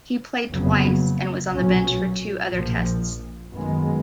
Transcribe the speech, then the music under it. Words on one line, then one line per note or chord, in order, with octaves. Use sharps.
He played twice, and was on the bench for two other Tests.
F#1 F2 C#3 F#3 B3
B1 A#2 F#3 C#4
A#1 A#2 F3
F#2 D#3 G#3 B3